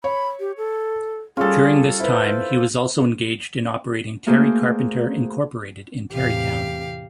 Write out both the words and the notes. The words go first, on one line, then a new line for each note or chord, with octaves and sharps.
During this time, he was also engaged in operating Terry Carpenter, Incorporated in Terrytown.
C#5 B5
G4
A4
G3 C#4 F4 G#4 A4
E4 B4 C5
A3 A#3 F#4 G#4 C5
E2 A2 C3 G4 F5